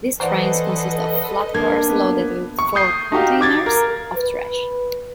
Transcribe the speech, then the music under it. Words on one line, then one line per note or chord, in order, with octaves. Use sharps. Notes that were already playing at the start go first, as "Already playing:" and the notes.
These trains consist of flatcars loaded with four containers of trash.
E3 A4 B4 C5 D5 D#5 F#5
A#3 D4 G#6
B3
C#6
D#6 G6 C7
D#4 F#4 G4 F5
D6 G#6 A6
A#4
B4